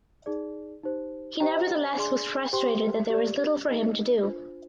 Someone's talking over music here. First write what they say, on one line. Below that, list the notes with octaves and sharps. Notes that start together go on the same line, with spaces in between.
He nevertheless was frustrated that there was little for him to do.
D#4 G#4 D5
D#4 G4 C5
G4 C5 D#5 G5 A#5
D4 G#4 D5 G#5 C6
G4 C5 G5 C6
G4 A#4 D5
D#4 G4 A#4 D#5
D4 F4 C5